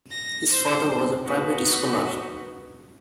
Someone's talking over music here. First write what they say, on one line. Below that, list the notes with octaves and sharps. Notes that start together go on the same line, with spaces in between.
His father was a private scholar.
A#6
C5
A#3 D#4 F#4 B4